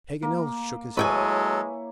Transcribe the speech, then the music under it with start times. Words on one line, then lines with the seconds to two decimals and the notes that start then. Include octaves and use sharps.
Paganel shook his head.
0.22 A#3
0.97 F#3 G#3 E4 A4 B4 C#5 G5 G#5